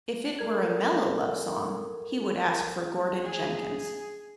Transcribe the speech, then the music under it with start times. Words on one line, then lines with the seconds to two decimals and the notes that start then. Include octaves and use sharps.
If it were a mellow love song, he would ask for Gordon Jenkins.
0.39 A4 A#4 G#6
3.24 G#4